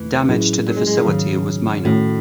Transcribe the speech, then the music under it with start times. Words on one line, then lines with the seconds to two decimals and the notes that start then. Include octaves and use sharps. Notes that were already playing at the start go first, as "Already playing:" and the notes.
Damage to the facility was minor.
Already playing: E2 D#3 E3 A3
0.27 A2 F#3 C#4 E4 G#4
0.67 F#3
0.76 G#3
0.87 G#3
0.97 C#3
1.06 G#2 D#3 F#3
1.85 A2 D#3 A3 C#4 F#4